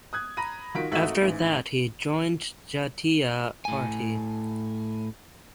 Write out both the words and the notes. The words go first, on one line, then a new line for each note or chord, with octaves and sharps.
After that he joined Jatiya Party.
D#6 F#6 G#6
A#5 B5 A#6 D#7
D#3 F4 F#4 B6 D7
G#1 A3 D#4 F#4 E5 F#7
A1 G#2 E3
A2 G#5